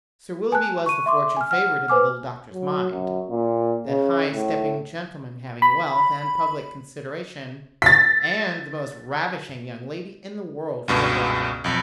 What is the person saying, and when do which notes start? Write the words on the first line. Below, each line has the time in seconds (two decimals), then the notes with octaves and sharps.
Sir Willoughby was the fortune-favoured in the little doctor's mind; that high-stepping gentleman having wealth, and public consideration, and the most ravishing young lady in the world for a bride.
0.52 G#5 A5 F#6
0.86 C#6 D#7
1.06 E5 C6 D6
1.37 G#5 F6
1.51 F#5 F6
1.88 B4 C5 G#5 D6 F6
2.53 F#3
2.91 F#2
3.30 A#2
3.87 C#3
4.32 A2
5.62 B5
7.82 A6 B6
10.88 C#2 G2 B2
11.64 B1 F2